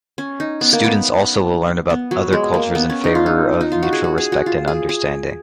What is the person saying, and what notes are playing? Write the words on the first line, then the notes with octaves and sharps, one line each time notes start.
Students also will learn about other cultures in favor of mutual respect and understanding.
C#4
D#4
B3
A#3
B3
B3
F#3
G#3
A#3
B3
C#4
D#4
F4
D#4
D#4
F4
F#4
G#4
F#4
G#4
F#4
F4
G#4
G#4